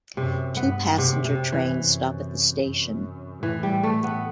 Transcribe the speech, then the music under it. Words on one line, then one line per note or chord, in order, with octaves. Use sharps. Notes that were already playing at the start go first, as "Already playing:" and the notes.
Two Passenger trains stop at the station.
F#2 C3
G2 B3
F#2 C3
C3
E3
F#2
F#2
A2 E3
G3
A3
B3